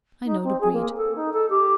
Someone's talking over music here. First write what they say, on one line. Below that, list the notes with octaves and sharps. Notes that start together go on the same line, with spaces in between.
I know the breed.
D#4
C4
G#4
A#3
A4
D#4
A4
G4